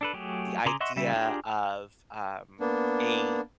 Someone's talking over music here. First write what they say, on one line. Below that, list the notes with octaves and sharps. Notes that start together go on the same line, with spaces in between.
the idea of, um, a
D4 A4 B4
F#3 A3 G4 G#4
C#3 G#4 A#5 C6 D6
D#5 E5 F#5 C6 C#6
C#3 G3 E5
D4 F4 G4 G#4 A#5
A#3 B3 D4